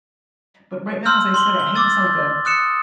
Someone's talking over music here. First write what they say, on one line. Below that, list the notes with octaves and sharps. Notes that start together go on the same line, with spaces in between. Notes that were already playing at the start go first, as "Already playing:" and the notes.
but right now, as I said, I hate to sound like a
C6 E6 F6 G6
C6 F#7 G7
G7
D6 E6 A6
D#6 F#6 C#7 E7